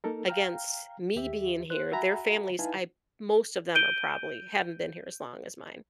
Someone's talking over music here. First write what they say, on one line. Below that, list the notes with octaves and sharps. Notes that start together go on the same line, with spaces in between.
against me being here, their families, I most of them are probably haven't been here as long as mine.
A#3 D#4 A4 A#4
F5 G5 A#5 F6
D#2 G4 E5
C5 F#6
F#4 E5 F#5 G#5 A#5 B5
D#4 E4 B4 F5 G#5 A5
G6 D7 D#7 G7